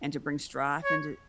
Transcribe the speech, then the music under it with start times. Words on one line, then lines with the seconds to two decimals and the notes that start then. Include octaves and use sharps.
and to bring strife into
0.84 C#5